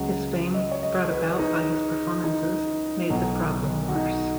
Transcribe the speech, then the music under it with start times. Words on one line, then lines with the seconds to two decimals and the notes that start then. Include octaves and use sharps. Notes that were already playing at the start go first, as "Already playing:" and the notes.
His fame, brought about by his performances, made the problem worse.
Already playing: C#2 C#3 F#3 F#5
0.54 D#5
0.71 C#5
0.83 D#5
1.11 B4
1.40 D#4
2.24 D#4
3.10 B1 B2 F#3
3.88 F#4
3.95 D#4